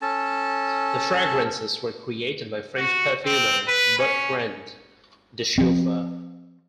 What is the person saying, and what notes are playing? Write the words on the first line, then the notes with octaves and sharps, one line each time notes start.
The fragrances were created by French perfumer Bertrand Duchaufour.
C#4 A4 A5
F#4
C4
B4
C#4
F3 C4